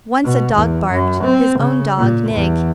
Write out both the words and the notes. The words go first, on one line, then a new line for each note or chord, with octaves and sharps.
Once a dog barked,--his own dog Nig.
B2
E2
F#2
C4
C#3
A#2
E2